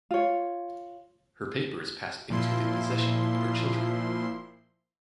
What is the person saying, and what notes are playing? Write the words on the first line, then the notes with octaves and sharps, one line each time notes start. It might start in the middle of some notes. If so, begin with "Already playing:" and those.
Her papers passed into the possession of her children.
F4 C#5
A#2 F3 E4 C6